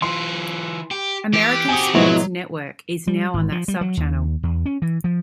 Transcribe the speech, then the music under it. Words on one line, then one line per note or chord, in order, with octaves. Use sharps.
American Sports Network is now on that subchannel.
E3 F4 C6
G4
E3 G4
C4 F#4 G#5 D#6
G#2 B2 F3 F#3 B3 E4
G3
G#1
F3
G3
F#3
D#2
E2
C#4
E3
F3